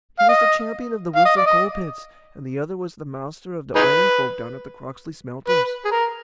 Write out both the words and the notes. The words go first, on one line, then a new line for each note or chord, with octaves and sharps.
He was the champion of the Wilson coal-pits, and the other was the Master of the iron-folk down at the Croxley smelters.
F5
D#5
F5
D#5
D5
D#5
D#4 G#4 B4
B4
G#4
A#4